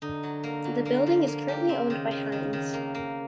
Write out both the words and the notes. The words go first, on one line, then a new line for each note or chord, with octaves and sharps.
The building is currently owned by Hines.
D3 D#4
F#3
A#3
F#3
A#3
F3
A#3
G4
C#3 C4
D#3
D#3
D#3
D#3
A#3
A#3